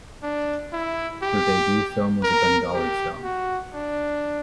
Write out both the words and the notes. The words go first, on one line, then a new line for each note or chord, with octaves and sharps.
Her debut film was a Bengali film.
D4
E4
G4
A#4
G4
F#4
D4